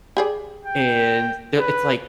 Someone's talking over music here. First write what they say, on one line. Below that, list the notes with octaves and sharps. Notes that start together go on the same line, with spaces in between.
and they'll it's like,
G4 G#4 D5
G5
B4